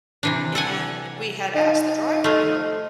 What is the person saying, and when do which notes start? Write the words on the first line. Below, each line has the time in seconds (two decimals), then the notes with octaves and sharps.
and we had asked the driver, you know,
0.23 C3 E3 D4
0.55 A4 F#5 G#5
1.56 D#4
2.24 A3 F4